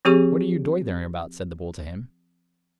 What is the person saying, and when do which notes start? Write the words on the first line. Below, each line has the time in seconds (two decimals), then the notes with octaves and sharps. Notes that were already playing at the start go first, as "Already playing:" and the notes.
"What are you doitherin' about?" said the bull to him.
0.05 F3 C4 G4 G#4 C#6